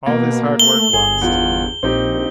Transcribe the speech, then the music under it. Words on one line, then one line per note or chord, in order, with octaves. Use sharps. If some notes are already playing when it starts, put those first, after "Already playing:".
All this hard work lost!
B2 A#3
A3 G7
G1 G#4
E2 F4
A#1 C4 D#4 G4